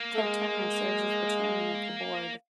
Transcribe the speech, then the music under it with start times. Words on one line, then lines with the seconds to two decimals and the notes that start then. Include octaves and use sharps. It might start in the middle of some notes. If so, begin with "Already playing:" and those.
Ted Turner serves as the chairman of the board.
Already playing: A#3
0.15 A3
0.21 G#3